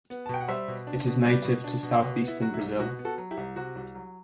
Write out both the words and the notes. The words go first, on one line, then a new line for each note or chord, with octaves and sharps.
It is native to southeastern Brazil.
B3
A5
B2 G5
F#5
G3 C5 E5
B2
D4
B2
G3 B4 D5
B2
D4
B2
B2
B3
E4
F#3 F#4
E4
C2
B2 F#4
B3
F#4 A4
F#3
E4 G4
C2
C3 F#4
C2
F#3